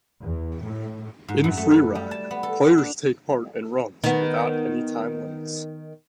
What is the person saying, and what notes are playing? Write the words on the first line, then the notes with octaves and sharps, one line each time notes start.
In Freeride, players take part in runs without any time limits.
E2
A2
G#2
F#2
A3
B4
G3
A5
B3
A4
D4
D#3 B3